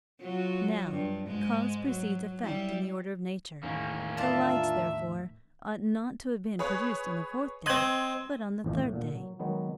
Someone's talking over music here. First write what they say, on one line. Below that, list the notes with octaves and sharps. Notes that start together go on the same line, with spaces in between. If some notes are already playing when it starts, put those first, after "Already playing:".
Now, cause precedes effect in the order of nature. The lights, therefore, ought not to have been produced on the fourth day, but on the third day.
F#3 F4 F#4
G2
G#2 G#3
F#3
G3 E4
E2 A2 D#3 A#3 C#4
D4 F4 A#4 E5 A5
G#4 B4 C#5
C4 D#5 C6 G#6 F#7
A1 E2 A2 F3 D#5
A2
A#2 D3
F#3
D#3 F#3 G#3 B3